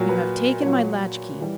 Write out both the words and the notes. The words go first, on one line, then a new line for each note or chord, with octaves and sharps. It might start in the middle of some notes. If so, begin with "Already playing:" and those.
'You have taken my latchkey.'
Already playing: A#2 F#3
B4
A#2 F#3 C#5
E3 G3